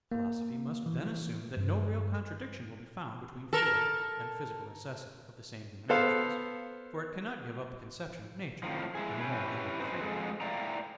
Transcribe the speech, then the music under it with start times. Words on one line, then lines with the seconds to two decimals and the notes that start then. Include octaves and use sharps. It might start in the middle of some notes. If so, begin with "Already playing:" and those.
Philosophy must then assume that no real contradiction will be found between freedom and physical necessity of the same human actions, for it cannot give up the conception of nature any more than that of freedom.
0.12 A#3
0.86 E3
1.57 G2
3.53 A4 A#4
5.89 B3 A4 C5 F5
8.63 F2 A2 D#3 F3
8.95 G#3 E4 G#4
9.21 C#4 E4 G4 B4
9.80 C4 C#4 D#4 B4 C5
10.01 F2 G#3 G#4 A4
10.41 A2 E4 D5 F5 G5 A#5